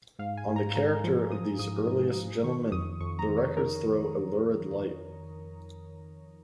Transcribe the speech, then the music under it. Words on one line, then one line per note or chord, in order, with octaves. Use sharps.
On the character of these earliest gentlemen the records throw a lurid light.
G#2 F5
G#5
G#2
A#5
G#2 A#5
F3
F3 D#6
G#2 D#6
G#2
F3
D#3 C#6
F2 D#6
F2 C#6
A#5
D#3
C#5
D#3 A#4